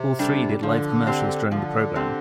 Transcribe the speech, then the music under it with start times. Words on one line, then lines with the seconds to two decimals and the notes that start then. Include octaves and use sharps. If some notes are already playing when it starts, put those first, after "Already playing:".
All three did live commercials during the program.
Already playing: C3
0.19 G3 D4 A4
0.63 D3 F3
1.07 C4 G4
1.52 D3 F3
1.96 C4 G4